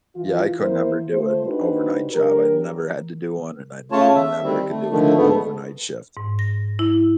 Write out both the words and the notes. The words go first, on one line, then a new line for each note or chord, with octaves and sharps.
Yeah, I could never do an overnight job. I've never had to do one, and I never could do an overnight shift.
E3 F4
E3 A#3 E4 A#4 C5
A3 F4 A4 C5
D4 D#4 F#4 G4 B4 C5
F#3 D4 G4 A#4
C#3 A3 F4 C#5 A5
E5
D#3 G3 C4
A3
D3 D#3 F3 A3
D2 G#2 A3 B3
G#2
A#6
E4